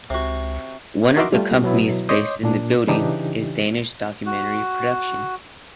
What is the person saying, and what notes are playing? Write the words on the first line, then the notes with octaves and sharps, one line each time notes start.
One of the companies based in the building is Danish Documentary Production.
C#2 C3 F#4
D#4 F#4 A#4 E5 C6 D6
G3 A3 F4
B2 F#3 B3 E4
C#5 D#5 C6 D6 D#6 G6
A#2 D4
C#3 E3 D4 D#4 G4
F#4